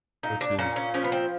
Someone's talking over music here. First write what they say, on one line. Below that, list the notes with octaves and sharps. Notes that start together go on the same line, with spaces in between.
Which is,
A#2 D#4
D4
A#2 C#4
C#4
F3 C#4
B3
C4